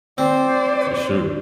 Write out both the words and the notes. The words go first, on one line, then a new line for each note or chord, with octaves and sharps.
For sure.
C4 C5 D5